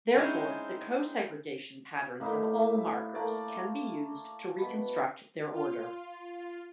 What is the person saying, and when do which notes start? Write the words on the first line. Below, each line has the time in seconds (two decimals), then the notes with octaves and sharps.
Therefore, the "co-segregation" patterns of all markers can be used to reconstruct their order.
0.17 G#3 C4 C#4 D#4 E4
2.20 A2 A#3 D#4 E4
3.15 A3 A#3 D5
4.58 B2 B5
5.53 F4